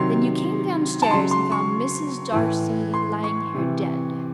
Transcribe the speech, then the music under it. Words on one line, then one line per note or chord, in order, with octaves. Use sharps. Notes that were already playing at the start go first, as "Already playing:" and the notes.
"Then you came downstairs and found Mrs. Darcy lying here--dead?"
Already playing: C3 D#3 F#3 C6
A5
C#3 F#3 C6
C6
C#6
A2 E3
C6
C#6
C3 E3